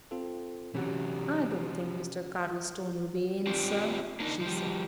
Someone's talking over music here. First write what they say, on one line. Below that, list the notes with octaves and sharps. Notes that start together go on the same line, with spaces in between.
"I don't think Mr. Cardlestone'll be in, sir," she said.
C4 F4 A4
C3 E3 F#3 C#4 F#4
C4 F4 G4 D5
A#3 D4 D#4
F3 G3